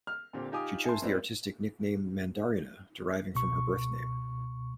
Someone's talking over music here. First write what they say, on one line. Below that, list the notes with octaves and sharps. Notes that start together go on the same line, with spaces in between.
She chose the artistic nickname "Mandaryna" deriving from her birth name.
F6
A#2 D3 C4 G4
D#4 F4 G4 G#5 D6 D#6
E5 G#5 A5 C6
B1 C4 E4 B4 D5
C#2 B2 C#6